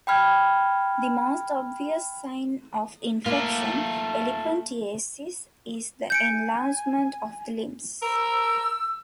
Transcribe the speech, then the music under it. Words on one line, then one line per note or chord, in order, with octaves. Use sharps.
The most obvious sign of infection, elephantiasis, is the enlargement of the limbs.
G5 B5 F6 G#6
A3 A#3 F4
G#5 G6 C#7 D7
A#4 E6